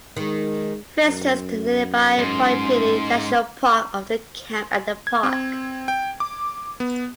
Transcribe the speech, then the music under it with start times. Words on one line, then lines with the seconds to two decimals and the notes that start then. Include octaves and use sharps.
Visitors to nearby Point Pelee National Park often camp at the park.
0.17 D#3 G#3
1.05 F#2
2.19 G#2 C#4 C6
5.07 G#6
5.23 C4
5.88 G5
6.20 D6
6.80 B3